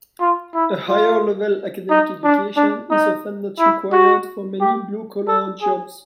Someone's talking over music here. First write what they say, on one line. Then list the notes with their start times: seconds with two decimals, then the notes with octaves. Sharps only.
A higher level academic education is often not required for many blue-collar jobs.
0.20 F4
0.55 E4
0.89 F4
1.90 D#4
2.24 D4
2.57 D4
2.91 D#4
3.59 E4
3.92 F#4
4.61 G4
5.28 A4
5.62 G#4